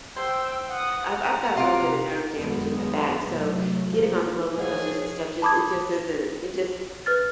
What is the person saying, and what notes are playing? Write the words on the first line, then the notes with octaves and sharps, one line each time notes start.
I've I've got a little bit of nerve damage in my back, so, getting on the roller coasters and stuff just it just isn't it just
C5 G5 E6
F#5 D#6
F#5 A#5
C3 F4 D6
F#2 D#3 G#3 B3
C3 F#3 A3
F3 A#3
F3 G#4 C5 C#5 D#5 F5 F#5 G#5
A5 B5 D6 D#6 G#6
B4 F6 A6